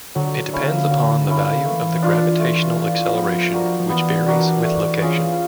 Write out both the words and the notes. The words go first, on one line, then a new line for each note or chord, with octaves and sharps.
It depends upon the value of the gravitational acceleration, which varies with location.
D3 F#3
A#3 C#4 E4
F#3
A#3 C#4 E4
E3 A3
D4 F4
A3
D4 F4
F3 B3
D4 F#4 A#4
F3
E3 B3
D4 F#4 A#4
A3
C#4 F4 G#4